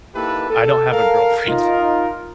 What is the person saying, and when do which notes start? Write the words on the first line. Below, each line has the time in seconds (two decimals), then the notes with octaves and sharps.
I don't have a girlfriend.
0.15 A#3 D#4 E4 G4 A4 B4
0.50 A4
0.91 A4 A#4 F5
1.47 D#4 F4 A#4